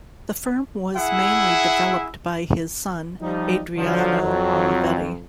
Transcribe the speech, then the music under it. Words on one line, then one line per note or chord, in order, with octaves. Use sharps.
The firm was mainly developed by his son Adriano Olivetti.
E4 G#4 E5 F#5
F3 G3 D#4
D3 F3 F#3
F2